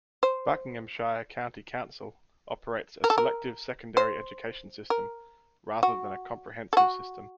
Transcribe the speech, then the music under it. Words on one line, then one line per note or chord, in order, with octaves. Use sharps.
Buckinghamshire County Council operates a selective secondary education system, rather than a comprehensive system.
C5
A#4
A4
A#4
C5
A#4
F#4
A4
F#4